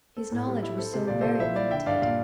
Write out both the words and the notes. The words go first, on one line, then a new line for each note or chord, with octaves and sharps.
His knowledge was so very limited.
C4 A4
A2
G3
E4
C4 A4
C3 C5
A#2 D5
A#2 A4 C5
E4 C5 E5
E4 D5 F5
D3 E5 G5
G2 D5 F5
A#2 D5 F5